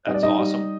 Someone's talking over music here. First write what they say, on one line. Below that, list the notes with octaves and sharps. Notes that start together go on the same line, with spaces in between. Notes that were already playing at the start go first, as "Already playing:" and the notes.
That's awesome.
G3 D#5
D5
D#4 D#5
G3